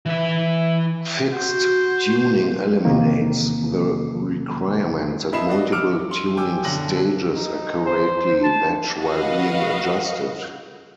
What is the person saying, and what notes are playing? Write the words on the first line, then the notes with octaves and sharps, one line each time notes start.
Fixed tuning eliminates the requirement that multiple tuning stages accurately match while being adjusted.
E3 E5
F#4 C5
E2 C3 D#3 A#3
F2 E4 D#5 B5 C7 E7
F#4 D5 D#5
D6 E6 F6 C#7 D7
C6
G5 G#5 D6 E6
F#1 B1 D3 A#6 F#7
D#4
C5
A5
F#4 B4 D#5 F5